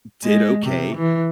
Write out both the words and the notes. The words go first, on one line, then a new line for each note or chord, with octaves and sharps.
did okay.
G#3
C3
E3